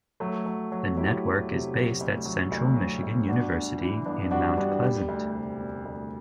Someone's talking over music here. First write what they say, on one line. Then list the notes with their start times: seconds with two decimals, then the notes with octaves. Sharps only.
The network is based at Central Michigan University in Mount Pleasant.
0.20 F#3 A3
0.46 F#3
0.72 F#3
0.97 F#3 E4 G4
1.24 E1
1.49 C3
1.75 F#3
2.00 D2
2.25 F#3
2.52 D2
2.76 F#3
3.03 D2
3.28 G1 D4 F#4
3.55 G1
3.80 E3
4.06 G1 B3 D4
4.31 G2 D4 F#4
4.57 G2 B3 D4
4.83 E1 G3
5.08 D2
5.34 C3
5.60 E1
5.85 D2